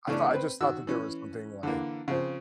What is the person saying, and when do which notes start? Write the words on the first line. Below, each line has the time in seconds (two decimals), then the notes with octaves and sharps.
I thought I just thought that there was something like
0.07 C#3 E3 A3 C#4 D4
0.31 C4 B4
0.61 D#3 F#4 E6
0.87 E3 C#4
1.63 D3 E3 A#3
2.08 C#3 F3 C4